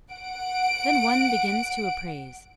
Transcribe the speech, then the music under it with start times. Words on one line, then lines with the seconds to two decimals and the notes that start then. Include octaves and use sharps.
Then one begins to appraise.
0.11 F#5 D7